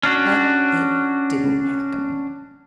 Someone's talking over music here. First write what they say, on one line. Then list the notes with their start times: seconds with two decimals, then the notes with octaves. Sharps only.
But it didn't happen.
0.03 C#4 D4 F#4